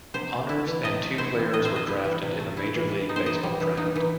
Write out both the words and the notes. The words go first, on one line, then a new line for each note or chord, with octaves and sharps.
Honors, and two players were drafted in the Major League Baseball draft.
C3 C5
A3
E4
E3
C3 D#5
A3
E4 C5
E3
C3 D#5
C5
A3
D#5
E4
E3
C3
A3
E4
E3
E3
D#4
C5
E3 D#5
G3
E3
D#4
E3